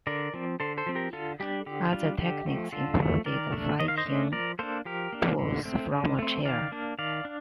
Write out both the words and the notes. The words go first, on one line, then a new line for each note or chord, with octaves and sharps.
Other techniques included fighting bulls from a chair.
D3 A#4 D5
F3 C4
D3 A4 C5
A4 C5
F3 C4
G4 A#4
D3 F4 A4
G3 D4 G4
D3 G4
G3 D4 F4
D3 G4
F3 A3
D3 F4 A4
F3 A3
D#3 A#4 D5
A3 D4
D#3 D#5
F5
C5 D#5
A3 D4
F3 A#4 D5
A#3 D4 A4 C5
F3 G4 A#4
A#3 D4
D3
A3 C4
D3
A3 C4
D#3 D5 F5
A#3 D4
D#3 D5 F5
D4